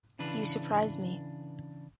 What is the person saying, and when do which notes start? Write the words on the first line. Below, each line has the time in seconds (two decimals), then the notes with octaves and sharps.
You surprise me.
0.19 C#3 E3 D4 B4